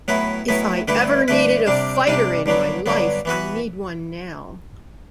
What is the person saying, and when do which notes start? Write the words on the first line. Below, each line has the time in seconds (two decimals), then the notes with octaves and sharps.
If I ever needed a fighter in my life I need one now.
0.08 A2 F#3 B3 E4 B4
0.48 A2 F#3 B3 E4 B4
0.88 G2 D3 A3 E4 B4
1.28 G2 D3 A3 E4 B4
1.67 C3 G3 D4
2.07 C3 G3 D4
2.46 G2 D3 F#3 B3
2.86 G2 D3 F#3 B3
3.25 E3 B3 F#4 B4